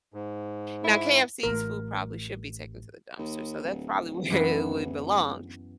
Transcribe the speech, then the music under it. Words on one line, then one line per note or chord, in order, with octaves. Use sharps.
Now KFC's food probably should be taken to the dumpster, so that's probably where it would belong,
G#2
E4
A1 A3 A#4
D#2
D1
F#2 E3 B3